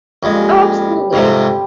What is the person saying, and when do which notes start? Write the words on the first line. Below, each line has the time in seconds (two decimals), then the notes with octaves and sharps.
Oh, absolutely.
0.23 F2 A#2 C#3 G3 G#3
0.79 G3
1.13 F2 G#2 C3 G3 C4